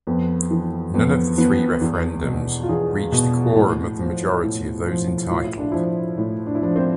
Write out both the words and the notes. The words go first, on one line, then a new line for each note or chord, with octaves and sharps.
None of the three referendums reached the quorum of the majority of those entitled.
F2 B3
E3
F2 B3
E3 B3
E2
B2
F4
E2 G#4
B2
A2
F3
A2
F3
A2 F4
E4
D4
F3 E4
A2
D4
E4
F3 D4
C4